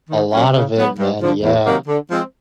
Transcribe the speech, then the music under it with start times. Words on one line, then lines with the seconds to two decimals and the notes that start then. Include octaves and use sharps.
A lot of it, man, yeah.
0.10 D#3
0.33 F#3 A#3 C#4
0.54 C#3
0.77 F#3 B3
0.98 G2
1.20 D3 F3
1.43 E2
1.65 C3 D#3 F#3 A#3
1.87 D3
2.09 F3 G#3 C4